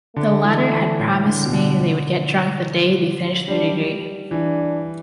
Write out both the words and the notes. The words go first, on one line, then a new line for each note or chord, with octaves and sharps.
The latter had promised me they would get drunk the day they finished their degree.
D3 A3
E3
E3
A2
D3
B2
D3
G3 D4
E3 D4